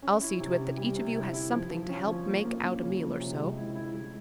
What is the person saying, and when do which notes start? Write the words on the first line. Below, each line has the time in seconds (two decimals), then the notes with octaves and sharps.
I'll see to it that each of you has something to help make out a meal or so.
0.02 C#4
0.21 E4
0.40 C3
0.59 C#4
0.77 G3
0.96 C3
1.15 E4
1.33 E4
1.52 F3
1.70 F3
1.89 C#4
2.07 F3
2.27 A#3
2.45 A#3
2.64 C#4
2.83 C#3
3.01 F3
3.20 C3
3.38 G#3
3.57 E4
3.75 E4
3.94 G#3